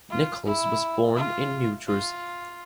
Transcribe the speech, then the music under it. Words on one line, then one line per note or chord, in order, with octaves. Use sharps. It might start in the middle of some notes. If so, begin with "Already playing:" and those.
Nichols was born in New Jersey.
F4
E4
F4
F4